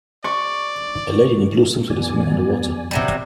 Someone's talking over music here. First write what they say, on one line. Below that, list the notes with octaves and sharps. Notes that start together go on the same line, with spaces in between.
A lady in a blue swimsuit is swimming underwater.
D5 C#6
F2 B3 D5 G#5
C3 F#3 G3